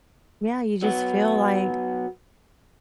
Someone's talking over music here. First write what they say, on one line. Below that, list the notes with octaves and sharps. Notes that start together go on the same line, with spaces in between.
Yeah, you just feel like
F#3 B3